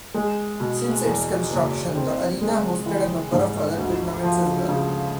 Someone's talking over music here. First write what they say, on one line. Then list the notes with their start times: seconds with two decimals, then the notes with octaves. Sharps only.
Since its construction, the arena hosted a number of other tournaments as well.
0.14 G#3
0.60 B2
1.04 E2
1.50 F#1
1.95 C4
2.42 G#3
2.86 E3
3.32 G#2
3.78 D2
4.23 F3
4.69 C#3